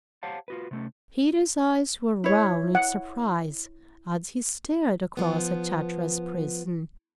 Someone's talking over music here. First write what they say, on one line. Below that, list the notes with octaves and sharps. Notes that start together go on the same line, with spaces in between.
Peter's eyes were round with surprise, as he stared across at Chatterer's prison.
G4 C5 C#5 F5 F#5 A5
F4 F#4 B4
C3 A3 C#4
E4 C#5
F#5
F3 B3